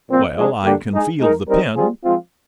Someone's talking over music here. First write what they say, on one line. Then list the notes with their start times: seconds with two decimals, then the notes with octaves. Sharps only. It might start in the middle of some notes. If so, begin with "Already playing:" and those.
"Well, I can feel the pin."
0.08 A#2 F3 C4
0.35 F3 G#3 D4 G#4
0.64 D3 G3 A#3 D4 G4
0.93 G#3 D#4 G#4
1.20 G#3 D#4 A#4
1.49 G3 C4 D#4 A#4
1.76 G3 C4 F4 G#4
2.04 F3 G#3 C4 F4